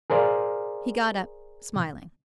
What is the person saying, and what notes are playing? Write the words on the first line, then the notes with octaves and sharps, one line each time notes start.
He got up, smiling.
G#4 A#4 C5 D5 F5